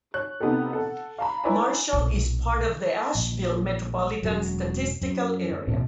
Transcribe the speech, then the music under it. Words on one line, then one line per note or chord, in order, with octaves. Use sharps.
Marshall is part of the Asheville Metropolitan Statistical Area.
C#5 F#6
C3 B3 D#4 G4 A4
A4 F#5
F5 A#5 B5
E4 B4 C#5 D5 G#5 A#5
B1 A#2
A#1
E1 F#2 F#3
F#2
A1 D2 B2 D4